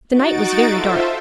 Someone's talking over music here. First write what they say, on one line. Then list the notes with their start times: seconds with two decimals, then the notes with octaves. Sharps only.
The night was very dark.
0.12 D#4 F#4 A6 D7
0.71 F4 A4 C5 E5